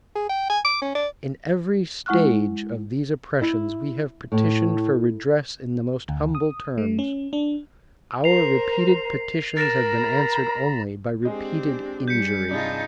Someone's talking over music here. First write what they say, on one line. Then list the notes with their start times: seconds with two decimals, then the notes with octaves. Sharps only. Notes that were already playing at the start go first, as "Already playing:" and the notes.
In every stage of these Oppressions We have Petitioned for Redress in the most humble terms: Our repeated Petitions have been answered only by repeated injury.
0.15 G#4
0.29 G5
0.50 G#5
0.65 D6
0.81 C#4
0.95 D5
2.06 G#3 E4 F#5 C#6 F6 F#6
3.42 E4
4.32 A2
6.09 D2
6.35 D#6
6.78 A3
6.99 C#4
7.33 D4
8.24 A#4 C5 C7 F7
9.57 A#4 A#5 B5 A6 A#6 E7
11.25 G#3 C4 D4 G4 D#5
12.08 G3 G6 B6 C#7
12.51 G2 C3 D#4 F4 G#4 A5